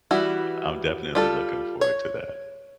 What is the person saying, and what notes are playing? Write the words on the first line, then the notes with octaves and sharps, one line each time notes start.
I'm definitely looking forward to that.
E3 G3 E4 F#4
G3 F4 A4
C#5